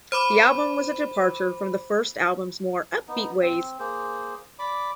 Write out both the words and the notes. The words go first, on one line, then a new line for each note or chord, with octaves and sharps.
The album was a departure from the first album's more upbeat ways.
C5 B5 D6
B3 D#4
C4
A#3 G#4 C5
D5 B5 D6